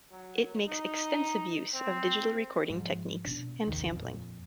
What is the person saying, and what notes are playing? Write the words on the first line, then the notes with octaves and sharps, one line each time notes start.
It makes extensive use of digital recording techniques and sampling.
F#3
D#4
C4
G#2 F3
B2 D4
A1 D#2 C3 D#3
F2 A#2